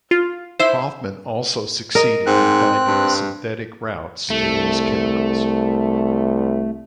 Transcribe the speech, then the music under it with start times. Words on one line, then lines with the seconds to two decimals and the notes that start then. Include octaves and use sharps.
Hofmann also succeeded in finding the synthetic routes to these chemicals.
0.11 F4
0.59 E4 C5 E5
1.95 A#4 D#5
2.26 G#2 C4 F#6
2.87 G2
4.30 C2 A3